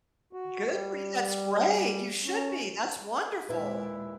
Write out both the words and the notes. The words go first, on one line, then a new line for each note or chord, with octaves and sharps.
Good for you, that's great, you should be, that's wonderful.
F#4
G3
C#4
D#2 A#2 G#3 E4 B4